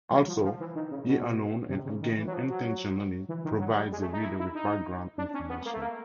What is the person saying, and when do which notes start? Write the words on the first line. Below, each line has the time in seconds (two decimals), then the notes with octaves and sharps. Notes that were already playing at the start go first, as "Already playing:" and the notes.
Also, he alone, and again intentionally, provides the reader with background information.
0.12 F#3
0.28 F3
0.44 F3
0.60 E3
0.75 D#3
0.91 C#3
1.07 B2
1.70 C3
1.85 C#3
2.02 D#3
2.18 E3
2.27 F#3
2.33 F3
2.50 F#3
3.29 E3
3.44 D#3
3.60 F#3
3.76 G3
3.92 G#3
4.02 A3
4.13 D#4
4.23 E4
4.39 E4
4.55 D#4
5.18 D4
5.34 C#4
5.49 B3
5.65 A#3
5.73 A3
5.82 A#3